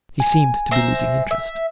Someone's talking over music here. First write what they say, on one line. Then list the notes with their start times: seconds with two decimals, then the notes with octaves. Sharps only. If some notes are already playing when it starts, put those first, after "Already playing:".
He seemed to be losing interest.
0.20 G#5
0.71 C5 E5 A#5
1.31 E5